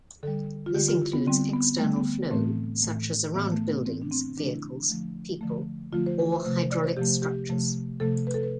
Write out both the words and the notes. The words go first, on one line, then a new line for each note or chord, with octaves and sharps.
This includes external flow such as around buildings, vehicles, people, or hydraulic structures.
D3 G3 A4
F4
D3 G3 G4
F4
E4
B3
D3 G3 C4
B3
D3 G3 A3
B3
A2 E3 A3 C4
A2 E3 A3
A2 E3 A3 B3
A3
B3
A2 E3 A3 C4
D4
C4
D3 F3 A3 D4
E4
D3 F3 A3
D3 F3 A3
D3 F3 A3 F4
C5
B4
C5
C3 F3 A3 C5
C5
D5
C5
C3 F3 A3 G4
G4
C3 F3 A3
C3 F3 A3 A4
B4
A4
B4